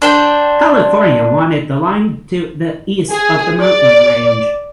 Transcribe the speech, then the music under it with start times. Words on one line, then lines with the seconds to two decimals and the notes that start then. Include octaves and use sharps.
California wanted the line to the east of the mountain range.
0.02 D4 C5 G5
3.11 G#4
3.62 D5